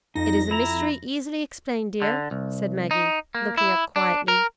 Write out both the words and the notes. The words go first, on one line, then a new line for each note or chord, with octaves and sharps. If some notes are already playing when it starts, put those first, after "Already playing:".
"It is a mystery easily explained, dear," said Maggie, looking up quietly.
F2 D#4 A#6
E4 A#5
D3
C2
D#4
A#3
E4
D4
A#4